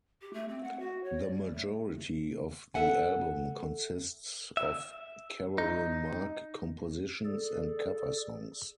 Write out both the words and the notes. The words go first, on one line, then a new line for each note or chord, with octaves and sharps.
The majority of the album consists of Carolyn Mark compositions and cover songs.
G4
A3
C4
F#5
F#4
C#5
D5
G3
A3
A4 E5 F#5 G#5
E5
D#4
G#4 A4 D5